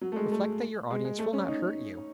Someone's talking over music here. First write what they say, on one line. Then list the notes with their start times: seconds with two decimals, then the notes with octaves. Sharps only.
Reflect that your audience will not hurt you.
0.01 F#3
0.12 A3
0.16 G#3
0.32 A3
0.90 G#3
1.05 G#3
1.19 A3
1.33 C#4
1.48 D#4